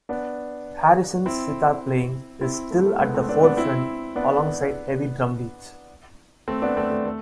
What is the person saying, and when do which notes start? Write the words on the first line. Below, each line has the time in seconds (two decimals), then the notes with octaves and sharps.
Harrison's sitar playing is still at the forefront, alongside heavy drumbeats.
0.09 B3 D4
1.26 C4 E4
2.41 C4 E4
2.71 A3
2.85 A3
3.00 G#3 B3
3.14 A3 C4
3.29 B3 D4
3.43 B3 D4
3.57 C4 E4
4.16 B3 D4
6.48 A3 C4
6.62 B3 D4
6.77 A3 C4
6.91 A3
7.05 A3